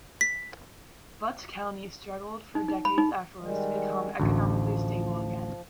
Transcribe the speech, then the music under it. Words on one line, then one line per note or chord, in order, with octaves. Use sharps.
Butts County struggled for decades afterwards to become economically stable again.
B6
D#4
D#4
B5
D#4
D#3 G3 G#3
A1 D2 F3